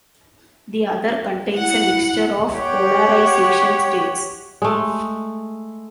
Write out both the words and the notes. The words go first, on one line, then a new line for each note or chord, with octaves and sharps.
The other contains a mixture of polarization states.
E4 F#5
G4 C#5 F#5 G5
G#3 A3